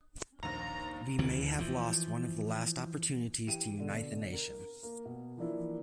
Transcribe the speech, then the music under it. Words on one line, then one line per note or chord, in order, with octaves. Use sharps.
We may have lost one of the last opportunities to unite the nation.
A#1 D#2 A#5
D2 D3 E3
E3 F3
E3 G4 D#7
B2 D3
A#4
A#3
B2
E3 F3 A#3 D4 E4